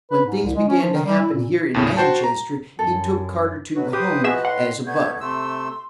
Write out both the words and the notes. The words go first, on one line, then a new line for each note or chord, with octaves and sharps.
When things began to happen here in Manchester, he took Carter to the home as a butler.
B4
G#2
C2
G#3
C#4
F3
D#3
G3
E4
A#2
D#2 A2 C#3
F#4 C5 G5 A5
A#5
F#2 A4
B2 F#3 F#4 B4
G4 B4 C5 G5 D#6
F3 F#4 G#4 B4 D#5 E5 F#6 E7
A2 F#5 C6
A3 B3 D5 G6 G#6
C3 A3 C6 E6